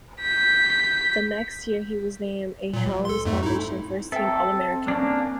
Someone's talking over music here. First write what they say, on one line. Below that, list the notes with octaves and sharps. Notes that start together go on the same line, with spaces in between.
The next year, he was named a Helms Foundation first-team all-American.
G6 B6
A#2 F#3
C#2
A4 C6
F2 G#2 A3
D#4 E4
C4 A4 E5 G5
A#3 C#4 D4